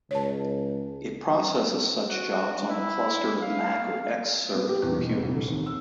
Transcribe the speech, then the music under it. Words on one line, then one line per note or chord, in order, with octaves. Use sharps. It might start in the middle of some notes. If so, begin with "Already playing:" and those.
It processes such jobs on a cluster of Mac or Xserve computers.
C#2 C#5 A5
F#4
E4
F5
B3
G4
E2
B2
F1
C2
D3
D#2
E6